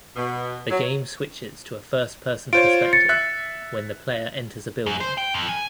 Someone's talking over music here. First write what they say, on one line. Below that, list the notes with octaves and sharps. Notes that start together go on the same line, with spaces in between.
The game switches to a first-person perspective when the player enters a building.
B2
F#3
F4 C5 C#5 D7
A6 C#7
E5 F#6
F#2
C5
G5
F2
G#5